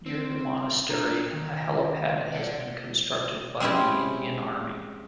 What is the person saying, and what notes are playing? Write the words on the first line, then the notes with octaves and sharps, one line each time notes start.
Near the monastery, a helipad has been constructed by the Indian Army.
C4
D4 A#5
D#3
D5 F#5
G#3 C4 C#4 E4 G4